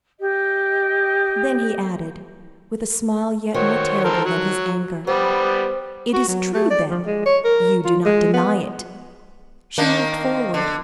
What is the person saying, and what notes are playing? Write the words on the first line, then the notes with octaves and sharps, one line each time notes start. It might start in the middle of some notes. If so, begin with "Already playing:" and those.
Then he added, with a smile yet more terrible than his anger, "It is true, then; you do not deny it!" She moved forward.
G4 D#5
D#3 F#4 C5 C#5
A4 A#4 C5
F#3
G3 B3 C5
F#4
F#3
A3
D5
F3
G#3
C#5
A#4
F4
G#3
B3
D#3 A#3 D4
D3